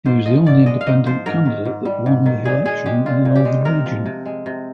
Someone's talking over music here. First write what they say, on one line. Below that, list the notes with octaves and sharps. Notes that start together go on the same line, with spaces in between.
He was the only independent candidate that won the election in the Northern Region.
G#2 C5
F3 D#5
G#2 D5
G#3 D#5
F5
G#2 D#5
F3 C5
G#2 A#4
D#3
G#2
G3
G#2
D#3
A#2 G#4
G#3 G#4
G#3 G4
A#2 F4
A#2
G4
G#3
C3 A#4
F3
C3
G#3
C3